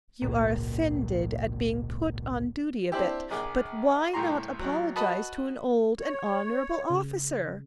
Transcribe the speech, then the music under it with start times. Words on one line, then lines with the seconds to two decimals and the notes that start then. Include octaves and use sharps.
You are offended at being put on duty a bit, but why not apologize to an old and honorable officer?
0.22 G#1 C#2 A#2
2.92 C4 D4 E4 G4
3.31 A#1 G#4 D6
4.13 C2 A2 G4 A#5 C6
4.60 A1 F#3
4.96 F#4 B4 D#5 A5 B5
5.99 C#5
6.90 C#3